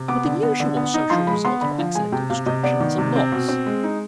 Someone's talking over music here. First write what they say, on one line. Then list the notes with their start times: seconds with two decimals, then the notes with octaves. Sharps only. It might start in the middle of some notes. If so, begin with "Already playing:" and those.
But the usual social result of accidental destruction is a loss.
Already playing: C3
0.08 B3 D6
0.25 D3
0.43 B3
0.60 D3
0.77 B3
0.94 D#4
1.10 F3 C6
1.27 G#3 B5
1.45 B3 C6
1.61 D3 B5
1.78 F3
1.95 G#3 G#5
2.12 C3 G5
2.30 C3 F5
2.46 C3 D#5
2.63 B3 D5
2.80 D#3
2.98 C3
3.16 C4
3.32 B2
3.49 C4
3.66 G#3
3.84 D#4